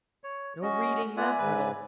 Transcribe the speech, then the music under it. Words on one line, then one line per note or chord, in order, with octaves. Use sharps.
No reading that riddle!...
C#5
C#4 F#4 D#5
B3 F4 D5 E5 F#5 G#5
G#2 B4